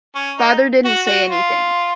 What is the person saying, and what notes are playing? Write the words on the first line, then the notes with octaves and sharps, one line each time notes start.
Father didn't say anything.
C#4
D#4
F#4
F#4
F4